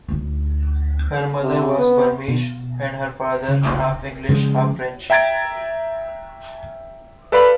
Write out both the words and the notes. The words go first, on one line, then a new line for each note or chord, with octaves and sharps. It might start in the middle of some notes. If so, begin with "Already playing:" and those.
Her mother was Burmese, and her father half-English, half-French.
D2 D#4
C3
B3
B2
C#3
C#3 F3 G3 G#3
E5 G5 A#5 G#6 A6 D7
A4 B4 D5 F5 B5